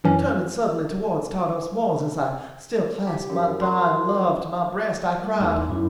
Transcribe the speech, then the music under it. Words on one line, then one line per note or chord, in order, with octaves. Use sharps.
Turning suddenly toward Tardos Mors as I still clasped my dying love to my breast I cried.
F#2 E3 C#4
G4
F#2
C6
G3 A3 A#4
E2 D#4 C6 D6
F#2 E4 F4 B5